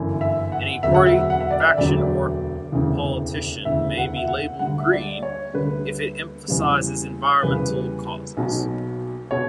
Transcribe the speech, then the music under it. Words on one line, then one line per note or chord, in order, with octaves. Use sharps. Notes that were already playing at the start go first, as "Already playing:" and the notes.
Any party, faction, or politician may be labeled "green" if it emphasizes environmental causes.
Already playing: G1 F#2 E3
E5
F#5
E1 D2 D3 F#3 E5
F#5
E5
F#5
E5
D5
E5
E1 D2 D3 F#3 D5
E1 D2 C#3 E3
E1 D2 C#3 E3 E5
F#5
E5
F#5
D2 D3 G3 F#5
E5
D5
C#5
D2 D3 G3 B4
E2 C#3 G3
E2 C#3 G3 B4
B1 B2 F#3
B2 C#5